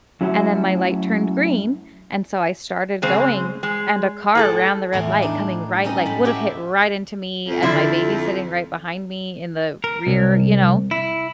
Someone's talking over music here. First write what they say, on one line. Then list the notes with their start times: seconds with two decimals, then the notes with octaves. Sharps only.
and then my light turned green, and so I started going, and a car ran the red light coming right like, would have hit right into me and my baby sitting right behind me in the rear. You know?
0.21 F#2 F#3 A3 E4 F#4
3.02 C#3 G#3 C4
3.63 G#3
4.35 A2 G#4 A4
4.92 E2 A2 E4
5.22 D4 D#4
5.84 G3 C#4 D#4 D#5 A#5
6.06 A2 A5 B5
6.25 F#4 G4 E5 G5
7.48 F2
7.63 D3 F3 E4
9.84 A#4
10.07 C2
10.91 E4